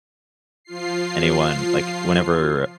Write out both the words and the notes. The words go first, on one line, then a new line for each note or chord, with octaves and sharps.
anyone, like whenever, uh,
F3 F4 C7